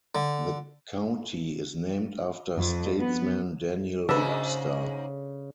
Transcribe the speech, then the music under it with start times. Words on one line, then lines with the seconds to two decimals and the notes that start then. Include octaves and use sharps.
The county is named after statesman Daniel Webster.
0.15 D3
2.57 F2
3.00 B3
4.09 G#2 C#3 A#3 D4 F#4 A4 B4 E5